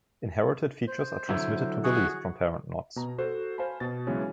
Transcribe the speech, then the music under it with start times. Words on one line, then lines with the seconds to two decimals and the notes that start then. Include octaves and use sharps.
Inherited features are transmitted to the leaves from parent knots.
0.87 C5
1.29 D3 F#3 E4
1.84 F#4 G#4 F#5
2.96 B2 A#5
3.18 F#4 A4 C5
3.58 C5 F5 G#5 A5 B5
3.80 B2 A6
4.07 C#3 E3 F#3 G#3 B3 C#4